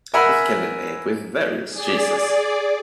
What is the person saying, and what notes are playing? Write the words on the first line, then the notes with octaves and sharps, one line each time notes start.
It can be made with various cheeses.
A#4 E5 F#5 G#5 A#5 B5
G#4 D5